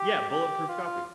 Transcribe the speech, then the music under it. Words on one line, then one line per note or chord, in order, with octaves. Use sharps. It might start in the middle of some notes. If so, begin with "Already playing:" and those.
Yeah, bulletproof coffee.
Already playing: G4
G4
F4